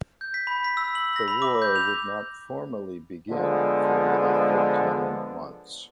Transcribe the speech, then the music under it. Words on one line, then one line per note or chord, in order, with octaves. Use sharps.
The war would not formally begin for another thirteen months.
G6
B6
B5
B6
E6
F#7
A#6
B5
D6
G6
F7
D3 F3 G#3 B3